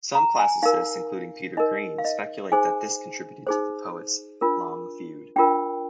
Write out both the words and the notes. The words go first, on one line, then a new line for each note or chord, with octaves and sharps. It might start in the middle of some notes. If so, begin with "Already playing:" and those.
Some classicists, including Peter Green, speculate that this contributed to the poets' long feud.
A#5
G#5
D#4 A#4 F5
D#4 A#4 D#5
F5
D#5
D#4 G#4 C5 G#5
D#4 G#4 C5
D4 F4 A#4
D4 F4 A#4 G5